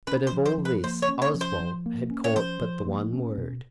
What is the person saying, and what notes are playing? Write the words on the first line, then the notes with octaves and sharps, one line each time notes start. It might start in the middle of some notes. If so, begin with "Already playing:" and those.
But of all this Oswald had caught but the one word.
C#4 B4
C5
F3
C5
F3
B4
A#3 C5
C#5
C#4
C#5
F3
C5
F3
A#3
C#4
C#5
F3 C5
F3
A#3
C#4
B2